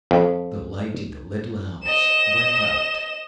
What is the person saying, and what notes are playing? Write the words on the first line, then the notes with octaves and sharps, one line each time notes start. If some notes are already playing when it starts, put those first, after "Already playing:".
The light in the little house went out.
F2
D#5 E7